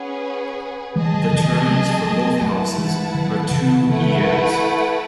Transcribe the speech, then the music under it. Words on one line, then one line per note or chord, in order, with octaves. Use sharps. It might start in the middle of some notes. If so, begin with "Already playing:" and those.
The terms for both houses are two years.
Already playing: C#4 G#4 B4 F#5
E3 G#3 G#4 D#5 A5
D#3 F#3
C#3 E3
E3 G#3
F#3 A3
F#3 A3
F#3 A3 E4 B4 F#5 A5
E3 G#3
D#3 F#3
C#3 E3
C#3 E3 A3 E4 B4 F#5